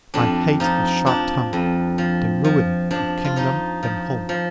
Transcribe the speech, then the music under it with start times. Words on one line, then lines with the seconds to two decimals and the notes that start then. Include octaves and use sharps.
I hate a sharp tongue, the ruin of kingdom and home.
0.14 F2 D4
0.60 F3 D#4
1.06 F3 D4
1.53 F2
1.98 F3
2.44 F3
2.91 F3 D4
3.24 F4
3.36 F3 D#4
3.83 F3
4.29 F3